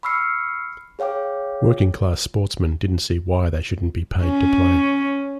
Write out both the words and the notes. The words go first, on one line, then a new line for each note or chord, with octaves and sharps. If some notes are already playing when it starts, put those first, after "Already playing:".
Working class sportsmen didn't see why they shouldn't be paid to play.
B5 C#6 E6 F6 C7 C#7
G#4 C#5 F5 G5 D6
C#4